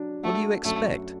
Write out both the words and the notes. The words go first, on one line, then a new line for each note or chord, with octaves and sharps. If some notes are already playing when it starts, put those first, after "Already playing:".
What do you expect?
Already playing: F#3 D4
A3 F#4
F#2 A3